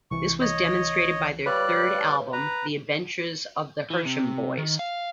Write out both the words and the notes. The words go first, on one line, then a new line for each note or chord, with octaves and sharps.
This was demonstrated by their third album, "The Adventures of the Hersham Boys".
C2 E3 C#6
C#5 D#5
G3 B4 C#5 D5 F5 F#6
B4 A#5
E3
C3
D#3
F5